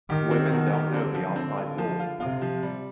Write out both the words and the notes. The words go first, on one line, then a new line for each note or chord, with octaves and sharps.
Women don't know the offside rule.
D#3 G4
C4
B2
G4
D3 C4
F3
C4
F4
F3
F4
C3 F4
F3
G3